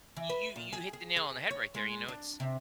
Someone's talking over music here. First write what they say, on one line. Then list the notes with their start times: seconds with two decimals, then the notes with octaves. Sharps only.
you you you hit the nail on the head right there, you know, it's
0.17 E3
0.30 B4
0.56 A#2
0.73 G#4
0.93 G#4
1.16 G#4
1.51 C#5
1.75 G#3
2.08 D4
2.40 C3